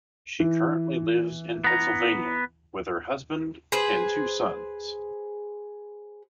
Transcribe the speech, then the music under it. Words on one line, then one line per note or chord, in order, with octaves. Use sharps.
She currently lives in Pennsylvania with her husband and two sons.
E3
B3 A#5
G#4 B4 C5